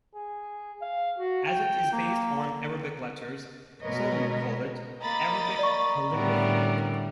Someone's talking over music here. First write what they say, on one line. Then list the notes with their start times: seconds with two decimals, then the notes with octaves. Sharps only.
As it is based on Arabic letters, some call it "Arabic calligraphy".
0.15 G#4
0.82 F5
1.18 F#4
1.48 G5
1.92 A#3
3.80 B2 G#3 A#4 B4 C#5 D#5
5.01 A#3 D#5 A#5 B5 A6
5.59 D5 C#6
6.12 A2 D3 G3 B3 C#4 A#4